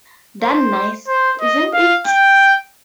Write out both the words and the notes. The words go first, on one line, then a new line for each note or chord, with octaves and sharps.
Darn nice, isn't it!
C5
C5
D#5
F5
G5